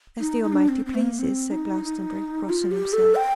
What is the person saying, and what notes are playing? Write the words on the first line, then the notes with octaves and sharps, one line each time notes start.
'As the Almighty pleases,' said Glastonbury, crossing himself.
D#4
D#4
D4
C4
C4
A3
A#3
C4
D#4
D#4
F4
G4
A4
G5